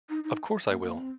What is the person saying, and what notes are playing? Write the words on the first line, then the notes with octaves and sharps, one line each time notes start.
Of course I will!
D#4
D#4
A#3
A#3
C4